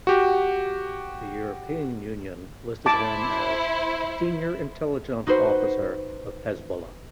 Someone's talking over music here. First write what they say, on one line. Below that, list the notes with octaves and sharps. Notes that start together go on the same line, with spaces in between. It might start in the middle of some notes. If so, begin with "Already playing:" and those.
The European Union listed him as "Senior Intelligence Officer of Hezbollah".
F#4 G4
E4 C5 A5 D6
D#4 F#4 B4 C5